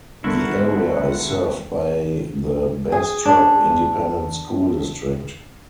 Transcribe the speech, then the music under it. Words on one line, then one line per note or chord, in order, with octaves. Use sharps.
The area is served by the Bastrop Independent School District.
D3 G3 B3 E4 F#4 A#4
G#4
D4